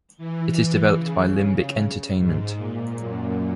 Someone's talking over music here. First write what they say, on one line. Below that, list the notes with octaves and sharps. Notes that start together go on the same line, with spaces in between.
It is developed by Limbic Entertainment.
E3
E3
C#3
G#2
A#2
F#2